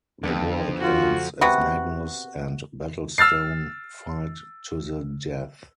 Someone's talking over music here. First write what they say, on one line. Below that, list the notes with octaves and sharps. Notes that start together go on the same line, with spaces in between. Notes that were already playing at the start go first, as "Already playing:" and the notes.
The world ends as Magnus and Battlestone fight to the death.
F2 D3 B3 C4
F4 F#4
C3 B3 F#4
E6 F6 A6 C7